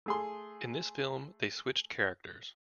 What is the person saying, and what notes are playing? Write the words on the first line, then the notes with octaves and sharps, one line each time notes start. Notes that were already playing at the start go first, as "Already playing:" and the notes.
In this film, they switched characters.
A3 G#4 C6